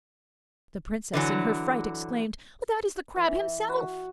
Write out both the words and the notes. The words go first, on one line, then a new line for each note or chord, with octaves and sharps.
The Princess in her fright exclaimed, 'That is the Crab himself!'
D3 E3 F#3
E3
F#4